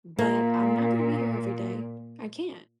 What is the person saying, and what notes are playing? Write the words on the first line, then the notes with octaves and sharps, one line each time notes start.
but I'm not going to be here every day. I can't.
A#2 A#3